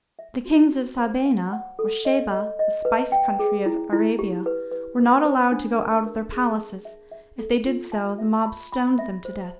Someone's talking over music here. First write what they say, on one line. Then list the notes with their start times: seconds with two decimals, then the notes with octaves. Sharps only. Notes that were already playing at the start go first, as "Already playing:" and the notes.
The kings of Sabaea or Sheba, the spice country of Arabia, were not allowed to go out of their palaces; if they did so, the mob stoned them to death.
0.19 E5
0.45 F#4
0.71 F#4
0.98 C5
1.25 F5
1.53 F#5
1.79 A4
2.05 D#5
2.32 D#5
2.59 D#5
2.85 B4
3.12 G5
3.39 G#4
3.66 E4
3.92 E4
4.19 G4
4.46 B4
4.72 B4
4.99 B4
5.25 C5
5.52 D4
5.79 A#4
6.06 A#4
6.32 G#4
6.58 A5
6.85 E5
7.12 E5
7.39 A4
7.65 F4
7.92 A5
8.19 E5
8.46 B5
8.72 B5
8.99 E5
9.25 C5